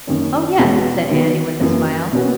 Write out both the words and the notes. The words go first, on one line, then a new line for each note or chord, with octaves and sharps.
"Oh yes," said Annie, with a smile.
F#2 D#3 A#3 C#4
E2 B2 G#3 C#4 F#4
D#3 F#3 B3
F#2 E3 A#3
B2 A#3 C#4 F#4